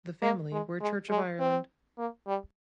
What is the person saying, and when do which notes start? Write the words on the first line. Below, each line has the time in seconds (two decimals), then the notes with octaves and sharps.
The family were Church of Ireland.
0.22 A#3
0.52 G#3
0.80 G#3
1.10 G#3
1.39 C4
1.98 A#3
2.27 G3